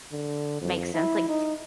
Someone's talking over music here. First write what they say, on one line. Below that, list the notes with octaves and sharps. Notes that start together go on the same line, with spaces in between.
Makes sense, like,
D3
F2
E4
D#4